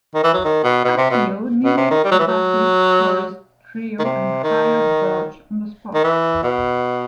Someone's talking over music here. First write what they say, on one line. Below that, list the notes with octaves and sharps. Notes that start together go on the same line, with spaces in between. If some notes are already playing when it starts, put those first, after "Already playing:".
Akio needed a bassist for his trio and hired Birch on the spot.
D#3
E3
F#3
D#3
B2
B2
C3
B2
B2
C3
D#3
G3
F#3
E3
F#3
D#3
C3
D#3
D#3
E3
B2